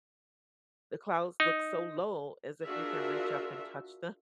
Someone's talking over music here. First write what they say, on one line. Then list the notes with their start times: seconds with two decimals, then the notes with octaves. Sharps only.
the clouds look so low as if you can reach up and touch them,
1.40 D#4
2.64 D4 F4 F#4 G#4 A#4 E5